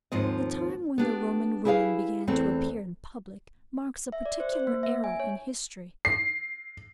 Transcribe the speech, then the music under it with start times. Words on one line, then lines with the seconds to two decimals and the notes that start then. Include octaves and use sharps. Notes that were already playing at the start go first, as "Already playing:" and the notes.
The time when the Roman women began to appear in public, marks a particular era in history.
0.12 D#2 G#2 F3 C4 D#5
0.98 B3 D4 G4
1.65 E4 G4 G#4 B4 E5 F5
2.27 E2 E3 A3 C4
4.12 E5
4.26 D5
4.40 C5
4.52 C5
4.67 A#3
4.83 E5
5.04 G#5
5.20 C#5
6.05 C7